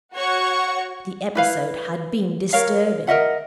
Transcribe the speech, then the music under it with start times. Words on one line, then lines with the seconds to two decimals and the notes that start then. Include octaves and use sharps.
The episode had been disturbing.
0.13 F#4 C#5 F#5 C#6
1.35 E4 B4 F5
2.53 A#4 C#5 F5
3.07 A#4 D#5 E5 F#5